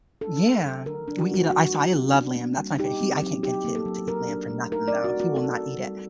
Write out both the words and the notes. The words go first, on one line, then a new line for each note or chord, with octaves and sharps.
Yeah, we eat, uh, I so, I love lamb. That's my fa he, I can't get him to eat lamb for nothing though. He will not eat it,
D4 A4
A3
F#3
D3 A#4
D4
F#4
A3 F#4
F#3 F#4
D#4
C4
D4
A#3
G3
D#4 G4
C4
F#3
D#4 G4
A#3
A4
F#3
F#3 A#4
D4
A3
D#4 A#4
D5
C4
F#4
A3
F#4
D#4 A4
C4
G3